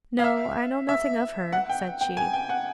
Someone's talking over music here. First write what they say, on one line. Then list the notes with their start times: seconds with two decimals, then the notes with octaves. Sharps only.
'No, I know nothing of her,' said she.
0.19 F5
0.24 E5
0.89 E5
1.52 F#5
1.70 G5
2.01 G5
2.17 G#5
2.33 G5
2.49 F#5